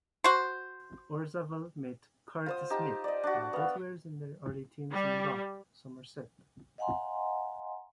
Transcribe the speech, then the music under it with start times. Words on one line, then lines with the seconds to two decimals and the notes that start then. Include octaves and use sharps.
Orzabal met Curt Smith while both were in their early teens in Bath, Somerset.
0.24 F#4 C5
2.46 F4 C5 D#6
2.70 D#4 G4 A5
3.04 D5 D#5
3.23 D4 F#4
3.53 B3 F5
4.92 G3
6.78 D#5 F5 F#5 G#5 A#5 C6